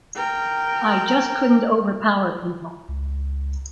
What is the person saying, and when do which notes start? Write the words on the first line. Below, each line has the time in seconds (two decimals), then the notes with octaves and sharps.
I just couldn’t overpower people.
0.16 A#4 G5
2.89 C#2